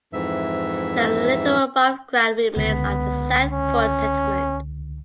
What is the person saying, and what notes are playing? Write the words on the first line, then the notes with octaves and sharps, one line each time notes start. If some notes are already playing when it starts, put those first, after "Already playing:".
There are little above ground remains of the South Point Settlement.
F2 G#2 E3 E5
C#2 D3 B3 B6
C#4